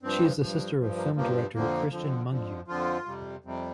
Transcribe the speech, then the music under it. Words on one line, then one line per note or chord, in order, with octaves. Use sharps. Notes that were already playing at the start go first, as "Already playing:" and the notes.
She is the sister of film director Cristian Mungiu.
G2 F3 C4
G2 F3
G2 F3
A#3
G2 F3 A#3
F2 D3 F3 A#3
F2 D3 F3
F2 D3 F3
F2 D3 F3 F4
F2 C3 G3
F2 C3 G3